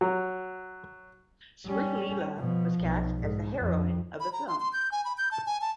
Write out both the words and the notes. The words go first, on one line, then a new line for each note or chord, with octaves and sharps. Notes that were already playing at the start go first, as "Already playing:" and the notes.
Sree Leela was cast as the heroine of the film.
F#3
G3 C#4
B2 F3
B1
G#2
F2
B5
A#5
C6
C6
G6
G#5
B5
G6
A5
G#5
A5